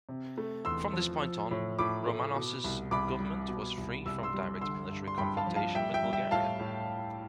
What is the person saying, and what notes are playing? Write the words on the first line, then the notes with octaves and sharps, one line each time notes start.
From this point on, Romanos' government was free from direct military confrontation with Bulgaria.
C3
A3
E2 C6 E6
F3
F3
A2
A2 B5 D6
A3
B2
C2
C2 B5 D6
G3
B2
C2
C2 E6
C6 E6
G3
D3 C6 E6
G2
C6
G2 G5 B5
F5 A5
F3
F5 A5
G3 E5 G5
E5 G5
G3
E5 G5
A2 F5 A5
A2